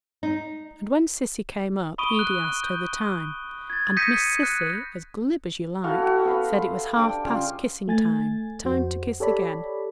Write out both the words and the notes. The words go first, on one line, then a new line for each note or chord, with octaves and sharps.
And when Cissy came up Edy asked her the time and Miss Cissy, as glib as you like, said it was half past kissing time, time to kiss again.
D#4
B5 C#6 D#6 D7 D#7 G7
F#6
G6
G#6 A6
D#6 G6 A#6 B6 C#7 D#7
F#6 C#7
E4 F#4 A4 F5
F#4 G4
B3 F5 B5
C6
D4 G4 G5 D6
C#3 F4 C6
A3 G#5 A6
F2 F#4 C5
G4 A4 C#5 D5 B5